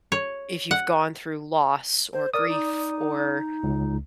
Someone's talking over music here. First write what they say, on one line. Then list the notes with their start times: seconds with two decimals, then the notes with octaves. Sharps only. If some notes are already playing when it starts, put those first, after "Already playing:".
if you've gone through loss or grief or
0.12 C#5
0.71 F#5
2.13 C5
2.34 A#4 D5 D#6
2.49 D#4
3.63 C#2